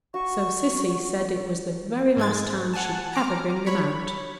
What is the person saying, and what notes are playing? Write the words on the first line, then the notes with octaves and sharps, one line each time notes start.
So Cissy said it was the very last time she'd ever bring them out.
F#4 C#6
G#2 G#3 G#6 A6
F#5 G#5 A5
A#5 D6 F6
C#5 B5